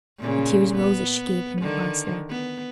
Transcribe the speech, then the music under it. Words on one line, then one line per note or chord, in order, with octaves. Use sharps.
The tears rose as she gave him the last look.
A#2 C#3
B3
D3 D#3
B3